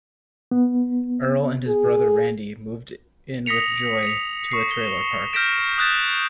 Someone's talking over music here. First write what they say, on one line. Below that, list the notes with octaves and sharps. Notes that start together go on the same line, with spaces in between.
Earl and his brother Randy moved in with Joy to a trailer park.
B3
G#4
D#6 A#6 B6 C#7 F7
C#7 F7
C#6 C7
G7
F6 G6 A#6 B6 D7 E7
D#6 F#6 G6 A6 E7